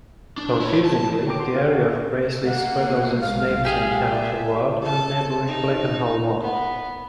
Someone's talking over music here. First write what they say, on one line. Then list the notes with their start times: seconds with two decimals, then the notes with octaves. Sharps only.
Confusingly, the area of Graiseley straddles its namesake council ward and neighbouring Blakenhall ward.
0.38 D4
0.60 E4 C#5
0.85 A5
1.26 C#5 G5 A#5 D6
1.39 F#4 G5 C6
1.54 F#4 G#4 A#4 F5
1.68 C#4 D4 F#4
1.81 D5 E5
2.45 A#3 F#5
3.20 B1 G#2 F5
3.65 G4 G#4
4.12 D5 E5
4.82 A4 A5
5.48 D#4
6.42 B3